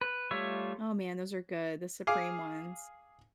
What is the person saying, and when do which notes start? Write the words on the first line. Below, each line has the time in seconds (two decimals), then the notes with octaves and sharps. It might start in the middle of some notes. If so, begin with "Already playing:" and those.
Oh, man, those are good, the supreme ones.
0.01 B4
0.31 G3 A3 F4 C#5 E5
2.07 G#4 F5 D6